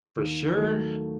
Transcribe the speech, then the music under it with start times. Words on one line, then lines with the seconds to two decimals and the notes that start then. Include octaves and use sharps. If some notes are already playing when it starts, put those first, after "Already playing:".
For sure,
0.17 D#2
0.56 D#3 F#3 A3